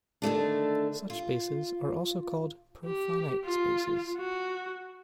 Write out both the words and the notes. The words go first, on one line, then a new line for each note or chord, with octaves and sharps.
Such spaces are also called "profinite" spaces.
D3 D#3 A3 D4
F4
G4
F4
F#4